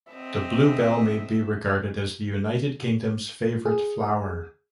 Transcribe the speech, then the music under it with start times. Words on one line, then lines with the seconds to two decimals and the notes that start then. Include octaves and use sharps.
The bluebell may be regarded as the United Kingdom's "favourite flower".
0.12 C4 D#5 E5
3.65 G#4